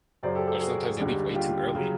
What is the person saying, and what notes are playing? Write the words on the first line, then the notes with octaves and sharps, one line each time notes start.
or sometimes they leave way too early.
F#2 C#3 F#3 C5 D5
G4 A4
G4 A4
F#4 G#4
D#2 D3 G3
F4 G4
C#3 F#3